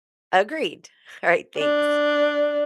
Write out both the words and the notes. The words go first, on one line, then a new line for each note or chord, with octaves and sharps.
Agreed. Alright, thanks.
D4